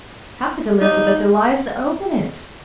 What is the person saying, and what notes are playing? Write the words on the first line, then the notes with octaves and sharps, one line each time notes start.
How could Elizabeth Eliza open it?
D#4